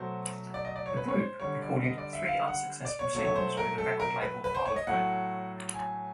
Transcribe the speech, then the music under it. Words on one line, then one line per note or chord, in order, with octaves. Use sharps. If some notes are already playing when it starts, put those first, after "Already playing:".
The group recorded three unsuccessful singles with the record label Parlophone.
Already playing: B2 F#3 A3 C5
D5
D#5
D5
C#5
B4
C#5
C5
D3 G3 C#5
D5
D#5
D5
E5
F5
F#5
D5
C#5
B2 F#3 A3 C#5
C#5
C5
A#4
A4
A#4
B4
B4
C5
C#5
D#5
A2 F#3 A3 F#5
G#5